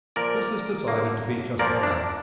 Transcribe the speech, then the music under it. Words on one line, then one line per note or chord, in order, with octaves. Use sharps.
This is decided to be justifiable.
A#2 F3 A#3 A#4 D5
D3 A#3
A#2 F3 A#3 A#4 D5
D4